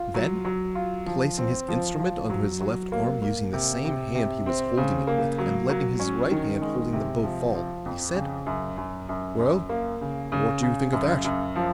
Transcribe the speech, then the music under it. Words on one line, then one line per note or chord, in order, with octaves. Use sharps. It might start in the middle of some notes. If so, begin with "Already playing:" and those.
Then, placing his instrument under his left arm using the same hand he was holding it with and letting his right hand holding the bow fall, he said, "Well, what do you think of that?"
Already playing: F4
F#3
F#3
F4
F3
C4
F3
F3
F#3
F#3
A#3
A#3
C3
C3
C3
C4
C#3
A#3
F#3
F#3
C#4
D#3
G#3
C3
F3
F3
F2
C#3
F#2
F#2
F#2
F#2
A#3
C#3
C#3
C#3
F#2
F#2
F3